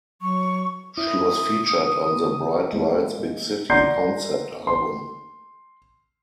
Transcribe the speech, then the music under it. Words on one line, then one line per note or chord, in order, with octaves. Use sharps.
She was featured on the "Bright Lights, Big City" concept album.
F#3 C#6
E4 D#6
G#3 A#3
D5 F#5 A#5 C6 G6 C7
C6